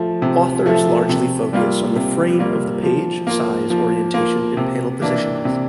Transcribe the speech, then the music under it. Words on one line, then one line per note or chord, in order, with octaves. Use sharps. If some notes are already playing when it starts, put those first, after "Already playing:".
Authors largely focus on the frame of the page, size, orientation, and panel positions.
Already playing: F3 A3
C3
F3 A3
C3
G3 A#3 F4
C3
G3 A#3 F4
F3
A#3 F4
F3
A#3 F4
C3
E3 A#3 D4
C3